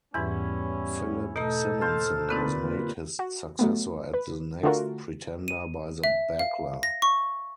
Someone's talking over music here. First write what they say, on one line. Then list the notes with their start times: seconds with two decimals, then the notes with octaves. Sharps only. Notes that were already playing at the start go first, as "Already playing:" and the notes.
Philip Simonsson was made his successor as the next pretender by the Bagler.
0.14 E2 G#2 E3 G3 B3 C#4 E4
1.36 B2 A3 D#4 A4
1.81 C5 F5 A5
2.29 A#2 D3 C4 D#4 B4 D5
3.19 F#4
3.59 F#3 A3 B3
4.14 B4
4.63 D3 A3 F4 F#4 A#4
5.48 D#7
6.04 E5
6.39 F5
6.83 A#6
7.02 C#6